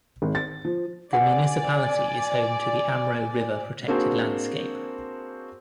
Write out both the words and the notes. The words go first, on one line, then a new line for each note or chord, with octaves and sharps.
The municipality is home to the Amro River Protected Landscape.
G#1
A6
F3
D5 F#5 G#5
A#3 C4 D4 F#4 G#4 C5